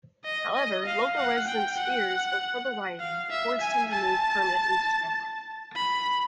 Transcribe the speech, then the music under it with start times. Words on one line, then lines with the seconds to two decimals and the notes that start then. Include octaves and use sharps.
However, local residents' fears of further rioting, forced him to move permanently to Tamworth.
0.25 D#5
0.55 D#5
0.86 F5
1.17 F#5
1.47 G5
1.77 F#5
3.00 F5
3.30 E5
3.61 G#5
3.91 A5
5.75 B5